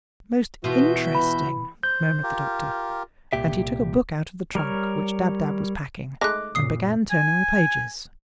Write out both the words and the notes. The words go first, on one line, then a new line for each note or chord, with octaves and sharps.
"Most interesting!" murmured the Doctor; and he took a book out of the trunk which Dab-Dab was packing and began turning the pages.
B2 E3 B3 F4 F#4 E5 G6
B5
C5 G6
F4 G4 A#4
C2 A#2 G4 E5
G3 A#4 C#5 F6
G#3 A3 D#4 D6 F#6 A#6
F#2 A#2 C#3 D#6 C7
G#5